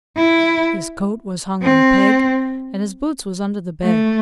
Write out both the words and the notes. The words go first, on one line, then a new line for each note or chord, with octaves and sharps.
His coat was hung on a peg, and his boots was under the bed.
E4
C4
A3